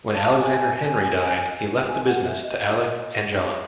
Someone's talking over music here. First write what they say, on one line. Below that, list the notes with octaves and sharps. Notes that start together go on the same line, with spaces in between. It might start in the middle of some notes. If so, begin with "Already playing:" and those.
When Alexander Henry died, he left the business to Alick and John.
A5
G#5
G#5
F#5
E5
D#5
C#5